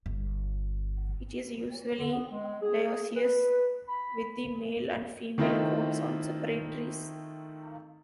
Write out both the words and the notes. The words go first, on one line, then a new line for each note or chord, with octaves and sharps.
It is usually dioecious, with the male and female cones on separate trees.
G1
D3
B3
G#3
G#4
B4
B5
D#3 A3 C4 E4 F4 D#5